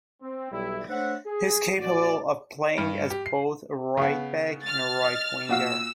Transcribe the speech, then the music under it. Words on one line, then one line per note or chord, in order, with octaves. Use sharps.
He is capable of playing as both a right back and a right winger.
C4
B1 G3 E4
A3 D4 C5 C#5 E5 F#5
G#4
A1 F#4 D5
G2
G4
C7
C#3 B3
F6 A6
D#5
A#2 F#4 F5 E6